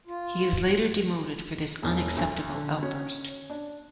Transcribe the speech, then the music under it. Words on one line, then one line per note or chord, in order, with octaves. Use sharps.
He is later demoted for this unacceptable outburst.
F4
E1
D2
D3
C#4
D4